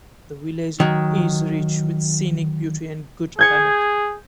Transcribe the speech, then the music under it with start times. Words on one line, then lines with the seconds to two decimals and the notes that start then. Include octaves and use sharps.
The Village is rich with scenic beauty and good climate.
0.80 D#3 F#3
3.39 G#4 G6 G#6 C#7